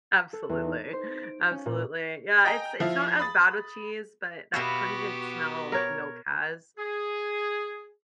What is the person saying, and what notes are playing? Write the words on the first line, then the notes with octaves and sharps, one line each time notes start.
absolutely, absolutely. Yeah, it's it's not as bad with cheese, but that pungent smell that milk has,
B6
A4
E2
D#4
C5
D7
C#4
A#2
D#5 G5 G#5 A#5
F3 E4 F4
B5 D#6 A6
B2 B3 F#4 G4 E5 F5
A#4 C#5
G#4